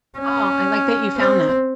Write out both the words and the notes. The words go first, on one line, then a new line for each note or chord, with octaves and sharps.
Oh, I like that you found that.
C#4
C4